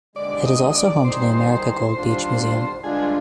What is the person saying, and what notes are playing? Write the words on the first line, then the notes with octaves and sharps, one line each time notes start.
It is also home to the America Gold Beach Museum.
D#2 D3 G#3 D5
D#5
D5
D#3 G3 C4 D#4 G#4 C5
D#2 D3 G3 D4 F4
G2 D3 G#3 D4 F4 G#4